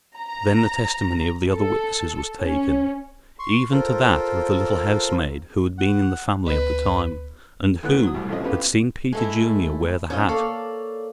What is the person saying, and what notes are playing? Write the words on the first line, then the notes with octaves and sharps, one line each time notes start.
Then the testimony of the other witnesses was taken, even to that of the little housemaid who had been in the family at the time, and who had seen Peter Junior wear the hat.
A#5
A4
C#4
C6 C#6
F4 A4 A#4 C5
F#5
D2 B4
D2 E3 B3 F#6
F#3 D#6
C2 A2 G3
A1 C#3 E3 F3 C4 D#5
B3 C#4 F4 G4 B4
G#3 A3 E4
C#4 E4 F4 D#5
A#3 A4 C#5 D5 F5